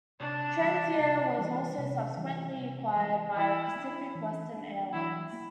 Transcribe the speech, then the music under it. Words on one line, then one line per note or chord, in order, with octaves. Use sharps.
Transair was also subsequently acquired by Pacific Western Airlines.
C3 D4
E3 G3
C3
E3 G3
C3
E3 G3
C3
E3 G3
E3 E4
A#3
D4
E3
A#3 D4
E3 E4
A#3